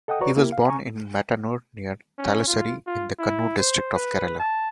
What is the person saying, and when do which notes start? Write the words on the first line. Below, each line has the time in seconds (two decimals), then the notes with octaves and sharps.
He was born in Mattanur, near Thalassery, in the Kannur district of Kerala.
0.08 A4 D#5 F#5 G5 D#6
0.21 F#4 B4 C#5 D5 A#5 C#6
0.36 C3 A#3 E4 G4 A#4
0.52 F5
0.68 G#5 A#5 C#6
2.18 C#4
2.47 F4
2.87 F4
3.19 E4
3.58 C5
3.95 B4
4.39 A5